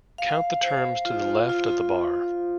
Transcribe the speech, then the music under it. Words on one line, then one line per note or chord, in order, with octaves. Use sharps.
Count the terms to the left of the bar.
F5
C5
F4
F4